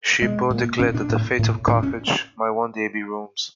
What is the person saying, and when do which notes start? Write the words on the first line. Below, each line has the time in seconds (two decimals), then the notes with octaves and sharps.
Scipio declared that the fate of Carthage might one day be Rome's.
0.22 B2 G#3
0.50 A#2
0.79 A#2 C#4
0.95 D4
1.09 A2
1.39 A2
1.67 A2 D4
1.83 C#4